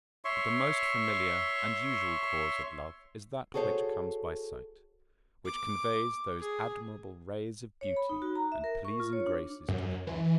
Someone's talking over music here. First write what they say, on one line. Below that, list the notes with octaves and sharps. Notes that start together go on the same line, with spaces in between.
But the most familiar and usual cause of love is that which comes by sight, which conveys those admirable rays of beauty and pleasing graces to the heart.
C#5 E5 C6 C#6
F#4 G#4 A4 C5 C#5
D6
G#4
C#5
B5
D#4
F#4
A#5
E5
A#4
C#6
F4
C#5
D4
F#2
E3